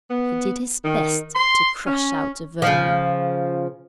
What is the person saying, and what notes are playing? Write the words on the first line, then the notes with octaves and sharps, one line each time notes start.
He did his best to crush out the vermin.
B3
D#3
C6
C#4
C#3 F3